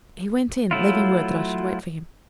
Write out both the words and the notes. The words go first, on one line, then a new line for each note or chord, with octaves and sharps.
He went in, leaving word that I should wait for him.
F#3 A3 E4 F4